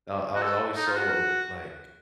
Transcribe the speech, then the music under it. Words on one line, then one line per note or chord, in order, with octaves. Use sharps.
I I was always so ob like
F#4
A4
D#4
F4
F#4